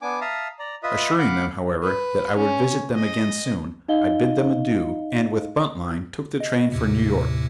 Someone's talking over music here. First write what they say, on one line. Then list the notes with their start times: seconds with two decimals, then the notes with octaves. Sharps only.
Assuring them, however, that I would visit them again soon, I bade them adieu, and with Buntline took the train for New York.
0.02 B3 D4 G#5 D6
0.21 E5 F5 A5 A#5 D#6
0.59 D5 A#5
0.83 F4 B4 D#5 E5 D#6
1.18 F5 F#5 B5 D6
1.83 B4
2.37 C#4
2.95 D#5
3.88 D#4 D#5 F5 G7
6.40 D#5
6.72 D#2 A2 C3